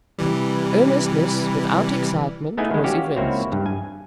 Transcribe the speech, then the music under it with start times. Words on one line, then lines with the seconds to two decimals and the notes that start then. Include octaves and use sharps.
Earnestness without excitement was evinced.
0.18 C3 E3 G3
2.57 A3 B3 D#4 E4 G#4 G#5
2.71 D#3 G#3
2.84 C#4 F#4 G4 F5
3.16 C#2 A#3 C4 E4 F#4 C#5
3.52 G2
3.66 G#5